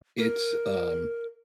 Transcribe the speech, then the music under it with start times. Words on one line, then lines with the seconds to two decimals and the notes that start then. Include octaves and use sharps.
it's, um
0.18 A#4